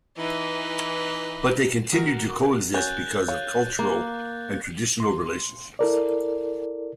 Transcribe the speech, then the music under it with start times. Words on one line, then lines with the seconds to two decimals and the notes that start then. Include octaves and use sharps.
But they continue to co-exist because of cultural and traditional relationships.
0.17 E3 D#4 B4
1.92 D#3 F#4 A#4
2.74 F#3 C#4 F#6 G6 A6
3.28 C#5 F5
3.79 A#3
5.00 C6
5.79 E4 A4 A#4 D5